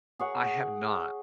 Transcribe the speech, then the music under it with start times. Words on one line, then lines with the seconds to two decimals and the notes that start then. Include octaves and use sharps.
I have not.
0.19 G#4 C#5 F#5